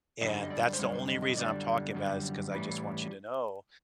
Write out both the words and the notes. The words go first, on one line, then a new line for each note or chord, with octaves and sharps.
and that's the only reason I'm talking about it is 'cause I, just, want you to know
F#2 D3 G3 D#5
D#5
D5
C5
F#2 D3 G3 C#5
C5
D#5
D#5
F#2 D3 G3 D5
F#2 D3 G3
A2 E3 G3